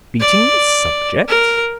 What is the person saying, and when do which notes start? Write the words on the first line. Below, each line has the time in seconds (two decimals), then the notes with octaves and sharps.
"Beating the subjects!"
0.20 D5
1.28 A#4